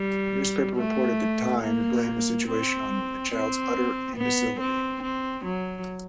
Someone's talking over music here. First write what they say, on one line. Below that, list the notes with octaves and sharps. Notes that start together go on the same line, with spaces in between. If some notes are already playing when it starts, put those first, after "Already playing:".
A newspaper report at the time blamed the situation on Childs' "utter imbecility".
Already playing: G3
A3
A#3
C4
C4
B3
C4
C4
F#3